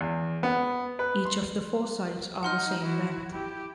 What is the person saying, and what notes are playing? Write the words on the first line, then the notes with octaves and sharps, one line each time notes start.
Each of the four sides are the same length.
E2
B3
B4
C6
D#4 F#5 C6 F6
E4 F#4
E4 G4